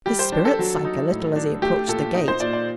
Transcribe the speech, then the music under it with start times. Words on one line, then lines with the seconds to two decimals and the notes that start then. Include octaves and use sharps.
His spirits sank a little as he approached the gate.
0.06 G3 G4
0.19 C5
0.32 D4
0.45 A4
0.59 F#3
0.85 D#4
1.10 A2
1.36 D4
1.62 A3 G4
1.88 A#2 A4
2.15 D#4
2.28 C5
2.40 A#2 D5
2.53 D5